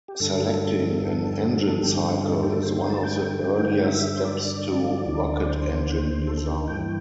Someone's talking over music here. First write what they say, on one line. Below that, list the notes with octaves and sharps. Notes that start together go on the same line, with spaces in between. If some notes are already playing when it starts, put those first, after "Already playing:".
Selecting an engine cycle is one of the earlier steps to rocket engine design.
G4
G2 D3 A4
A4
G2 D3 G4
G4
A4
A4
G4
A4
C5
C5
A5
G5
G2 D3
E5
C5
D5
D2 D3
C5
A4
A4
G4
G2 E3 G5